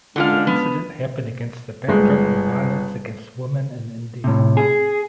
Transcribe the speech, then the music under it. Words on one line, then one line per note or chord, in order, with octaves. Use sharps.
The incident happened against the backdrop of violence against women in India.
D3 G#3 C#4 D4 F4 F5
B3
G1 G#3
A2 C3
G#4